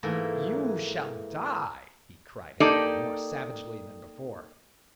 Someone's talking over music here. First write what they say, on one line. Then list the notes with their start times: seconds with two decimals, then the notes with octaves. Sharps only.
"You shall die!" he cried again, more savagely than before.
0.03 G#2 E3 A3 A#3
2.60 A#3 D#4 G4 A4 D5